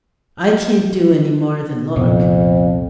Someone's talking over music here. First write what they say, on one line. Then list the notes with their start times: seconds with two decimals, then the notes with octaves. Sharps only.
"I can't do any more than look."
1.96 C2 F2 A#2 B3